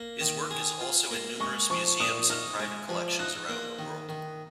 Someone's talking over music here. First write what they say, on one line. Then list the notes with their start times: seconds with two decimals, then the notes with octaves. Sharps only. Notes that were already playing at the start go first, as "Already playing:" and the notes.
His work is also in numerous museums and private collections around the world.
Already playing: A#3
0.21 D#3
0.51 G#4
0.81 F4
1.11 A#3
1.40 G#3 C#6
1.70 F3 C#6
2.00 A#2 D#6
2.30 D#4 F6
2.60 G#3
2.89 F3
3.19 D#4 F#6
3.49 A#3
3.79 D#3
4.09 D#3